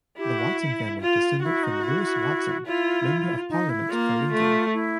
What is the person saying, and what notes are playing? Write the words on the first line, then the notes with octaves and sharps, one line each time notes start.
The Watson family descended from Lewis Watson, Member of Parliament for Lincoln.
E4 G4
F#4
F4
E4 F#4
D#4
E4
E4 F4
D#4
E4
A#3 F4
A3
E4